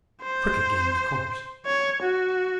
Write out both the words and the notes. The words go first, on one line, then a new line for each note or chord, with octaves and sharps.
A crooked game, of course.
C5
C#5
F#4